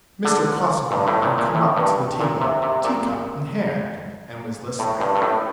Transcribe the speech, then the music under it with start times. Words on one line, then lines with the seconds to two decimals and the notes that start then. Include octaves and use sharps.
Mr. Casaubon had come up to the table, teacup in hand, and was listening.
0.25 D3
0.91 G2
1.07 A2
1.22 A#2
1.38 A#2
1.55 A2
1.77 G2
2.20 A#2
2.41 C3
2.62 C3
2.84 A#2
4.79 A2
5.00 G2
5.16 G2
5.22 A2